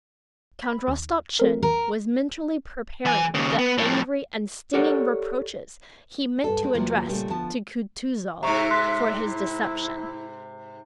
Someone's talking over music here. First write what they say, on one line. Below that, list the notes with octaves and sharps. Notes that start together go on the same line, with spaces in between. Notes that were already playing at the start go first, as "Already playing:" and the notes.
Count Rostopchin was mentally preparing the angry and stinging reproaches he meant to address to Kutuzov for his deception.
B5
D#2
A3 C4 A#4
E2 A#4
E3 G#5
D#2 C#3
B3
F2 A2
G4 A4 A#4 C#5 D5 F#5
G2 A4
G#3 C4
E2 C3 F3 F#3 A#3
A#2 C#3 G3 A3
D2 F3 B3 A5
G#2 C3 E5 A#5 C#6
C6 F#6 B6
E4